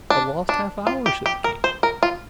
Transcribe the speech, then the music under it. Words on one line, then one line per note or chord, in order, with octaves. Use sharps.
"A lost half-hour?" said the King.
D4
D4
F4
G4
G4
A#4
C5
A#4
F4